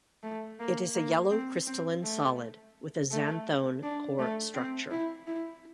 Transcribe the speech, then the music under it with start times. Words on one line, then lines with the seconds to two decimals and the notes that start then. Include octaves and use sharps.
It is a yellow crystalline solid with a xanthone core structure.
0.23 A3
0.59 A#3
0.95 A#3
1.31 C4
1.67 C4
2.03 A3
3.11 A3
3.83 D4
4.19 A3
4.55 C4
4.91 E4
5.27 E4